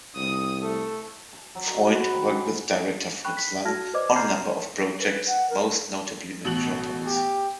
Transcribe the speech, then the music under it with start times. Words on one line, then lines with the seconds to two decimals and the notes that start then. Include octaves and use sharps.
Freund worked with director Fritz Lang on a number of projects, most notably Metropolis.
0.16 C2 D#6
0.61 A3
1.33 A5
1.55 F#3
1.74 F#4
1.95 B4
2.13 D#3
2.26 C#4
3.25 G5 B5 C#6 F#6
3.37 B6
3.65 F#4 A5 F6 G#6 A#6
3.94 B4 C5 D5 D#5 D6 G#6
4.16 A#5 C6 F6 G6 G#6 C7
4.99 B4
5.27 F#5
5.50 A#4
6.44 A1 B2 F#7
7.05 G4